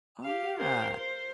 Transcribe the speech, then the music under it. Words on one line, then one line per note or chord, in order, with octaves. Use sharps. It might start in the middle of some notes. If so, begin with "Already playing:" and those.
Oh, yeah.
G4 F5
A#4 C5
C5